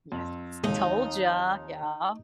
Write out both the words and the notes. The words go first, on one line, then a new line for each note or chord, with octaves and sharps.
Yes. "Told ya." Yeah.
F2
D#2 G#3 D#4